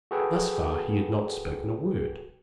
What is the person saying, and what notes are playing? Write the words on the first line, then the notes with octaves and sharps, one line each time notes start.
Thus far he had not spoken a word.
F#4 G#4 A4 B4 G5